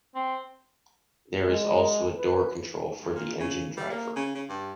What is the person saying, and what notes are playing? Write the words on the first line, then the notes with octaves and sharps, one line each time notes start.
There is also a door control for the engine driver.
C4
G#3
B4
G2
A#2
C#3
G3
A#3
C#3
C#3
G2